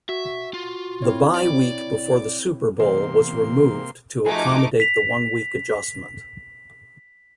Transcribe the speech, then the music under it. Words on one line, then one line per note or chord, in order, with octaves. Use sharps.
The bye week before the Super Bowl was removed to accommodate the one-week adjustment.
F#4 E5
F4
C4 E4 C#5
D5
E2 C3 A#3 C6
F3 A3 D#4 F#4 G#4 G#5 D6
B6 F7